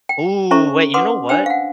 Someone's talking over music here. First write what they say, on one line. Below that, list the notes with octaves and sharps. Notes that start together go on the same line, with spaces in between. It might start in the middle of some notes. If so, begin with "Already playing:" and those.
Ooh, wait, you know what,
G5
C#4 A4 C5 E5 A#5 C#6
B4 F#5 C6 D6 D#6
D4 C5 G5 E6
F5 F#5